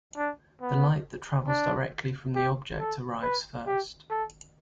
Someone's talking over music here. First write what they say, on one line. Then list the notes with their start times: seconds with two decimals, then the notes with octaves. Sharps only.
The light that travels directly from the object arrives first.
0.17 D4
0.61 B3
1.48 D4
2.35 G4
2.80 A4
3.22 B4
3.66 G4
4.10 A4